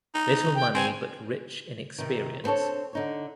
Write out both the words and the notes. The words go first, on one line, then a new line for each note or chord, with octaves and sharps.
Little money, but rich in experience.
D#4
G5
C4 G#5
C3 D#3
B3 C4 D4 A4 C#5
D3 D#4 C#5